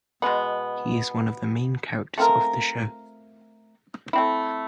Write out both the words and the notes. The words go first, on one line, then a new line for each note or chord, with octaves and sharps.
He is one of the main characters of the show.
B2 G#3 B3
A3 C4 F4 A#4
A3 C4 E4